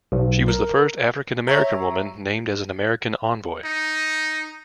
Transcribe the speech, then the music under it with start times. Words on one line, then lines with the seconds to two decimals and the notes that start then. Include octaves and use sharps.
She was the first African American woman named as an American envoy.
0.12 B1
0.48 A#4
1.47 C#5 E5 A#5
3.65 D#4